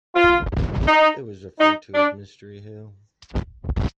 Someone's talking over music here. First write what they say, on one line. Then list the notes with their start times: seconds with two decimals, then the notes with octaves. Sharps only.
It was referred to as "Mystery Hill".
0.15 F4
0.87 D#4
1.59 D#4
1.95 D4